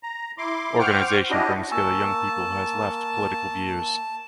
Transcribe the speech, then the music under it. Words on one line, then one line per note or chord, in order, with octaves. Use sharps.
Organisation brings together young people who has left political views.
A#5
E4 C6 D6
C5 F#5 G5 C#6 D6 F6
C#4 D4 E4 F#4 G4 D#5
A#3 G#5 A5 C#6 E6